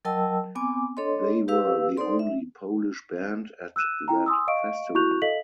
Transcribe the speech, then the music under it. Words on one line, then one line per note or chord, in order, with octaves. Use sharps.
They were the only Polish band at that festival.
F#3 A#4 D#5 G5 A5 E6
B3 C4 G#5 D6
D4 A4 C#5 D#5 C6
G4 B4 F5 E6
D#4 A4 C5 D5 C6
E5
E6 F#6 D#7 E7
E4 G5 A#5
G#5 C6 D#6 E6
D#5 F5 C#6 D7
E4 F#4 C#6 F#6 G6 F7
A4 D#5 F5 B6 F#7